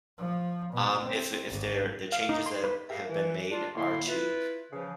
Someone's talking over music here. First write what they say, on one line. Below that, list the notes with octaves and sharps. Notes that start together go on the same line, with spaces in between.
um, if if they're the changes that have been made are to
F3
B2
C4
G#1
F5
D#4
C6
B4
G4 G#4 A#4 E5 F5
E3
D4 F4
A2 D3 A#3 E4 C6
E4 F4 B4
C#3 E3 F3